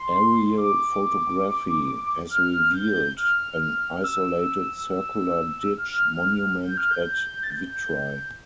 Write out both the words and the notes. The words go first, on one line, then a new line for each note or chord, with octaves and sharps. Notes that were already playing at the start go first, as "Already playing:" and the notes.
Aerial photography has revealed an isolated circular ditch monument at Vitry.
Already playing: C6
D6
F6
G6
F6
F6
E6
E6
F6
G6
F6
G6
A6
G6